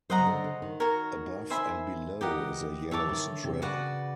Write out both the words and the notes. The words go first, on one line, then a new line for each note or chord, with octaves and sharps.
Above and below is a yellow strip.
F#3 C5 D#5 F#5 A#5
C#3
D3
C#3
D#3
F#4 A#4 C#5
C5 E5 G#5 B5
E3 G4 A#4 D#5 F#5
E3 C#5 E5 A5 D6
D#3
D3
C3
C#3 F#4 B4 D5 F#5